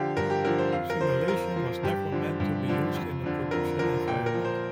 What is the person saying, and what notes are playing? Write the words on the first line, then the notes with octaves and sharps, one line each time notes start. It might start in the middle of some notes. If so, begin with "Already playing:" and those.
Simulation was never meant to be used in a production environment.
Already playing: D3 F3 G4 F5
G2 A#4
G4
D3 F3 A#4
C5
F2 F5
A#4
F3 C5
F2 A#4
F3
G2 G4
D3 F3
G2
D3 F3
F2
D3 F3
F2 A#4
D3 F3 A#4
A#2 G5
A#4
F3
C5